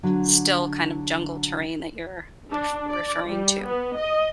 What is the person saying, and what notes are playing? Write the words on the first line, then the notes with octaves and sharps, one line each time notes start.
still kind of jungle terrain that you're ref referring to?
D3 F#3
D4
D5
G3
B3
D#5